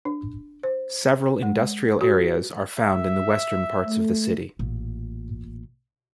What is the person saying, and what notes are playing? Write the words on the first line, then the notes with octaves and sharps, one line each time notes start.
Several industrial areas are found in the western parts of the city.
D4
C5
G#3
F#4
E5
A3
A1 A#2